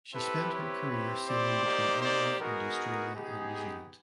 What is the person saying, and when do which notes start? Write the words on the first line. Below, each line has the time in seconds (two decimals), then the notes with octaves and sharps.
She spent her career sailing between England and Australia and New Zealand.
0.14 C4 E4 G4 A4 B4
0.52 B4 C#5
0.89 C4 E4 G4
1.27 C5 D5
1.64 A#3 D#4 G4
2.02 C5 D5
2.40 B3 D#4 F#4 G#4 A#4
3.15 B3 D#4 G4 G#4